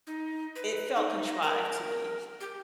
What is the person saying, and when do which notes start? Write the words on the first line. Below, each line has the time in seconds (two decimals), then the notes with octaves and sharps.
it felt contrived to me.
0.07 D#4
0.56 B4
0.95 D#4
1.42 A#4
2.40 G4